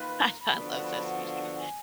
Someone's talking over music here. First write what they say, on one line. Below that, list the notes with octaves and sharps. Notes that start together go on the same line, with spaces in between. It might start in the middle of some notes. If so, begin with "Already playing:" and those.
I I love Sesame Street.
Already playing: D#3 A#3 F4 B4 B5
A#5
B5
D3 F3 B3 D4 F#4
B5
F#5
F5
F#5
G#5